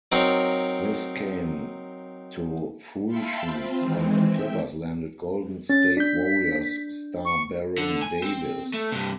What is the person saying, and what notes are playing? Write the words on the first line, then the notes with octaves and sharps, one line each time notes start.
This came to fruition when Clippers landed Golden State Warriors star Baron Davis.
F#3 C4 D#4 A#4 C#5
E5 F5 G5 A5 B5 C6
C4 F4
D#3 E3 G#3 C4
E5 G5
C#4 A6
D4 G6 B6
C#6
D3
G#5
C4
A3
G2 C3